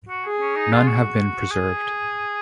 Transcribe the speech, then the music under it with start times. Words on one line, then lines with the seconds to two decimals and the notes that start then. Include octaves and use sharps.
None have been preserved.
0.09 F#4
0.25 G#4
0.40 C#4
0.56 D#4
0.72 F4
0.88 F#4
1.51 G#4